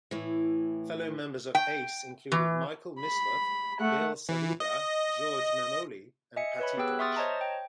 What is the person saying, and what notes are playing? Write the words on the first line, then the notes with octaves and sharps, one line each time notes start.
Fellow members of Ace included Michael Mislove, Bill Saluga, George Memmoli, and Patti Deutsch.
A2 E3
G5
E3
B5
A3 F#5
E3
D#5
D#5 E5 G#5 C#7
B4 C#5 B5
B3 G4 G#4 G5 E6 F#6
E5 C6 C#6 D#6 F6 A6
C5 C#5 D#5 A5 A#5
G5